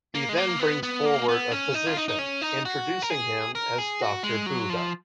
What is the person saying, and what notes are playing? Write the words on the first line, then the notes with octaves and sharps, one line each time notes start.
He then brings forward a physician, introducing him as Doctor Budah.
A#3
G#3
A#3
B3
B3
A#3
B3
C#4
D#4
F4
D#4
D#4
C#4
D#4
F#4
A#4
G#4
A#4
G#4
F#4
G#3
F#3
F3